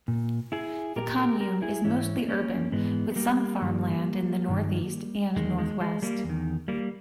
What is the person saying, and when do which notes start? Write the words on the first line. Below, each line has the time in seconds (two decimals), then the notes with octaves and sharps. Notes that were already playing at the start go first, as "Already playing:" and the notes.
The commune is mostly urban with some farmland in the north-east and north-west.
0.08 A#2
0.52 E4 G#4
0.96 A#2 G4 A#4
1.18 G4 A#4
1.40 G4 A#4
1.62 E4 G#4
1.84 G#2 E3 C#4 E4
2.28 A#3 C#4
2.72 G#2 E3 G#3 B3
3.12 B3
3.16 G3 A#3
3.61 G2 D#3
4.48 G2 D#3
5.36 E2 D#3 G#3
5.59 G#3
5.81 G#3
6.02 G3 A#3
6.24 E2
6.29 D#3
6.68 G3 A#3